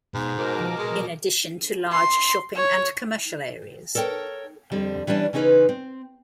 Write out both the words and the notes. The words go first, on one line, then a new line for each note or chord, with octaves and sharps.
In addition to large shopping and commercial areas.
G#2 B2
B2 F#4 A#4 C5 D#5 D6
F3
G#3 G#4
F3
C6
C#5
A4 A#4 C#5 G5
F2 D3 G3 C4
E3 G3 C#4 D4
C#3 E3 C#4 D#4 B4 C5
C4